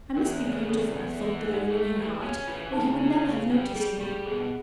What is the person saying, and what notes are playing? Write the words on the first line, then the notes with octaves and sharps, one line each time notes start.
"I must be beautiful," thought the girl, in her heart, "or he would never have noticed me."
E2 A#4
C5
C#3
B4
E2 A4
E2
E3
G#2
A3 G#4
E3 G4
C#4 F#4
E3 F4
C#3 D#4
E4
C#4
E4
C#3
G3
G3 G#4
G3 G4
B2 G#4